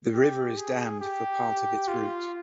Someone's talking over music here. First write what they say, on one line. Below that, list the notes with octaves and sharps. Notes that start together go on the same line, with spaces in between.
The river is dammed for part of its route.
G4
G#4
G4
F4